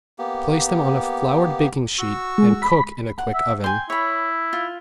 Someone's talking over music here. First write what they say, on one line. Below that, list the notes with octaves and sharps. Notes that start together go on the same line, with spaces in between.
Place them on a floured baking sheet and cook in a quick oven.
A#3 B3 G4
F#4 C#6 E6
G#3
B5
F#5
E5
G5 G#5 C6
E4 C#5 B5
F4